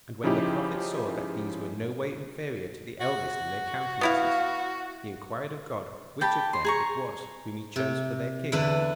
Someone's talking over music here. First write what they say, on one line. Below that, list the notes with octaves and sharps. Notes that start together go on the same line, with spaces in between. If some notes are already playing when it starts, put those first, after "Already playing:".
And when the prophet saw that these were no way inferior to the eldest in their countenances, he inquired of God which of them it was whom he chose for their king.
C#3 F3 D#4 E4 G4
F#4
B3 E4 F5
G4 G5 A5 B5
C6
G#4 A#5 C#6
C3
E2 D3 E4 B4 A5